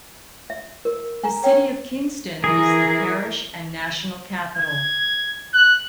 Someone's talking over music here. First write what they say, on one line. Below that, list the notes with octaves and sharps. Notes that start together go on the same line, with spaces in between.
The city of Kingston is the parish and national capital.
E5
A#4
G#5 A#5
C#5 G5
E3 G#4 A#4
G#6
F#6